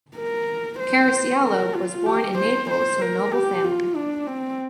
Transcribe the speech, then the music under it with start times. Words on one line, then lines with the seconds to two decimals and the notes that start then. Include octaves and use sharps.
Caracciolo was born in Naples to a noble family.
0.17 A#4
0.80 C5
1.44 A#4
1.75 F4
2.06 G4
2.38 C5
2.70 C5
3.01 A#4
3.33 G4
3.64 F4
3.96 D4
4.27 C4